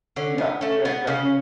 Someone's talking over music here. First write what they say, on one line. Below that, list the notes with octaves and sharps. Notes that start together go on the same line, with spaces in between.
Yeah. Yeah, exactly.
D3 C#4
B3
A3 C#4
B3
C#3 C#4